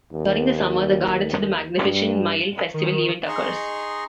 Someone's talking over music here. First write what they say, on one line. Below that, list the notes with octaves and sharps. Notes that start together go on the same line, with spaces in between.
During the summer, the "Gardens of The Magnificent Mile" festival event occurs.
D#2
G2
D#3
D#4 G#4 D#5 A#5 C6 C#6